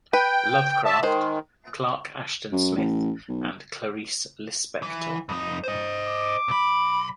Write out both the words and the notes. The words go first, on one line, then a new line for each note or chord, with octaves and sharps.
Lovecraft, Clark Ashton Smith and Clarice Lispector.
B4 G5
E5 A5
D#3 G#3 C5
F#2
A1
B1
E3
F2 D#4
C5 D#5
D6
B1 B5